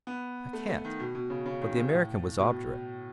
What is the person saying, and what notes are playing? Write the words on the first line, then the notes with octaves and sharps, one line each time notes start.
I can't!' But the American was obdurate.
B3
A3
A3
D#3
B2
B2
C#3
C#3
D#3
C#3
A2
B2